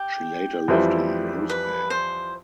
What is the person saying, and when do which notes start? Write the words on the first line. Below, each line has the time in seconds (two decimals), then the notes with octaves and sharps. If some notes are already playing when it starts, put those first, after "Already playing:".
She later lived in Rosebank.
Already playing: G4
0.68 F2 E3 G3 C4 E4
1.50 B4
1.90 C5